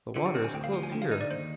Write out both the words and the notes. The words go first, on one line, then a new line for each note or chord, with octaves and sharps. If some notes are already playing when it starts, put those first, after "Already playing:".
The water is close here.
D3 F4
G4
C4 A#4
G#5
D2 G5
F5
F3 G5
G#5
D3 G5
F5
D#4 D#5
D5
D#2 C5